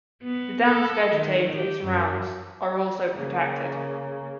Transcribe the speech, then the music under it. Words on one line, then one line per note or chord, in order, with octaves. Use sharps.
The dam's vegetated surrounds are also protected.
B3
A4
D#3
G4
F#2
C#3 A#3